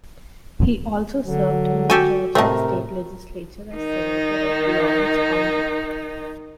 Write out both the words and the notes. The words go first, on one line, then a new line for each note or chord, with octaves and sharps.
He also served in the Georgia state legislature as Senator of Laurens County.
D3 F#3
F#4 G4 A4 G#5
A2 C3 A3 C4 A#4 D#5 A5
D#3 D#4